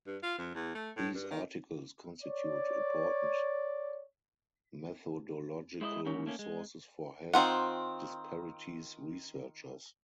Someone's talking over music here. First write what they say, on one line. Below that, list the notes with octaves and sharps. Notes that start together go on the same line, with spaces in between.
These articles constitute important methodological resources for health disparities researchers.
G2
F4
F2
E2
A3
A2
G2
D#3
C#5 D5
G#3 E4 C#5 D#5
G#2 E3 C#4 A#4 C#5
A3 A#3 C#4
G#3
D#3 C4 F4 F#5